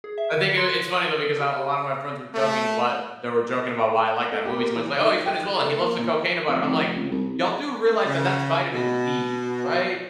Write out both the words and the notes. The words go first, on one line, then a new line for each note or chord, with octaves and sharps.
I think i it's funny, though, because a a lot of my friends were joking what they were joking about why I like that movie so much, they, "Oh, he's Venezuelan. He loves the cocaine about it." I'm like, "Y'all do realize that, that's vitamin D, right?
G#4
E5
D3
C6
D#6
A4
G4
A3
A3
G4
A#3
E3
D#3
G5
F#6
A3
A#3
A#2
F1
F1
C#2
C2
C#3
B2